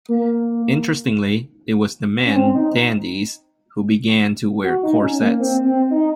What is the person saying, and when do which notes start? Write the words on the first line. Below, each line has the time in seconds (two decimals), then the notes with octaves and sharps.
Interestingly, it was the men, Dandies, who began to wear corsets.
0.09 A#3
2.26 C#4
2.36 C4
2.55 D#4
4.64 F#4
4.83 D#4
5.02 C#4
5.21 A#3
5.40 C4
5.64 C4
5.91 D#4